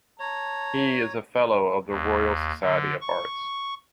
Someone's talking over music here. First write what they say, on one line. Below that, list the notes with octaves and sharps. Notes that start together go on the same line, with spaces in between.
He is a Fellow of the Royal Society of Arts.
C#5 A5 A#5
D#2
D3
C#6